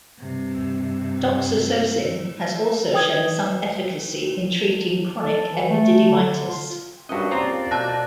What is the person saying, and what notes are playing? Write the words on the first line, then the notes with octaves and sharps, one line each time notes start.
Doxazosin has also shown some efficacy in treating chronic epididymitis.
G2 C3
B4 G5 D#6 G#6
A4
E3
A3
D3
F4
G2 A#2 G3 C#4 F#4 D#5 F#5
C2 A#3 C4 F4 D5 A#5
B2 A5 E6 F#6 A#6